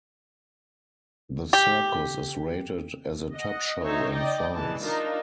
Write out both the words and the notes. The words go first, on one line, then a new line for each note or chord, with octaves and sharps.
The circus is rated as a top show in France.
G4
D#5 F#5
D#4 C5 C#5 E5
D5 D#5 G5
E3 G#3 A5
D4 D#4 F4 A#4